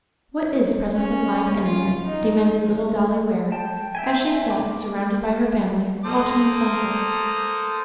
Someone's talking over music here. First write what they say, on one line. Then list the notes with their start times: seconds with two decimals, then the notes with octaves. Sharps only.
"What is presence of mind, any way?" demanded little Dolly Ware, as she sat, surrounded by her family, watching the sunset.
0.95 C#4
1.63 F4
2.03 D#4
3.52 G5 A5
3.95 E5 G5 G#5
4.50 D6
6.04 A#3 A4 A#4 C5 D#6